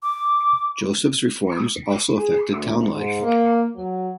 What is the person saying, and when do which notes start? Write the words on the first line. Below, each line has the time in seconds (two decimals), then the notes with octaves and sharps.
Joseph's reforms also affected town life.
0.03 D6
2.15 G#4
2.48 D2
2.91 G#2
3.22 A#3
3.75 F#3